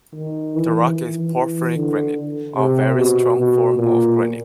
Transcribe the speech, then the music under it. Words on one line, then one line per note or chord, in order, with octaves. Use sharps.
The rock is porphyritic granite, a very strong form of granite.
D#3
E3
E3
E3
D3
C3
B2
B2
A#2